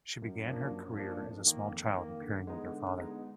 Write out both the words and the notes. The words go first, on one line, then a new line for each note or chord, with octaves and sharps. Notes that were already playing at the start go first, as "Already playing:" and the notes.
She began her career as a small child appearing with her father.
F#2
F3 A#3 D4
F#2
F3 A#3 D4
F2
D#3 A#3
F2
D#3 A#3
D3
G#3 B3 D#4
D3
G#3 B3 D#4